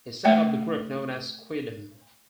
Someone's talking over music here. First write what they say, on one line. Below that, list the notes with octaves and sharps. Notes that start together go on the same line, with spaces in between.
He set up the group known as 'Quidem'.
A3 E5 G5